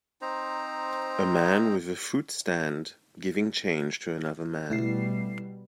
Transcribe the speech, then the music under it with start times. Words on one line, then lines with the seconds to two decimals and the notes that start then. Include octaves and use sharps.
A man with a fruit stand giving change to another man.
0.21 C4 D#4 C5 A#5
4.70 B2 G3 A3 B3 E4 C7